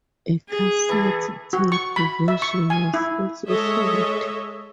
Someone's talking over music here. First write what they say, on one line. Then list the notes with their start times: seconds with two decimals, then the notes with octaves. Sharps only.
A cassette tape version was also sold.
0.50 G#4
0.89 E3 A4
1.53 F#4
1.72 C#6
1.96 B5
2.28 E5
2.42 C#6
2.70 G#5
2.94 E4
3.48 G#3 G#4 A4 C#5 D#5 E5